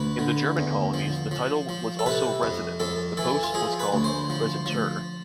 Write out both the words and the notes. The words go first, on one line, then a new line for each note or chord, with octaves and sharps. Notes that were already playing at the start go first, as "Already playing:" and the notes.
In the German colonies, the title was also Resident; the post was called "Residentur".
Already playing: D2 B4
D3
E2
F3
F3
F3
A4
C3 B4
F2
F2 A4
E3 A4
F4
F3 G#4
B4
D2
C5
F3
F3